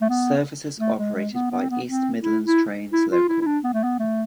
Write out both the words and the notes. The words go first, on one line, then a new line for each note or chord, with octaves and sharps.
Services are operated by East Midlands Trains Local.
A3
B3
A3
G#3
G#3
B3
B3
C4
B3
C4
E4
E4
E4
F4
E4
E4
D4
B3
A3
B3
A3